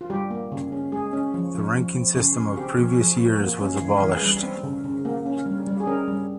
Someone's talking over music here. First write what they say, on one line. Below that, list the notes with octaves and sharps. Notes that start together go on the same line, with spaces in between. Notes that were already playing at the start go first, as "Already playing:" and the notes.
The ranking system of previous years was abolished.
F4
G3 G4
A#3
C#3
C#4
G#3 G#4
C#4
F3
F3
F3
C4
C#3
C#3
C4 G4
F3
F3
C4
A#3
C#4
E3
E3
G3
C4
C#3
C#3
A#3
C#4
G3
G3
G#4
C#4 A#4
G3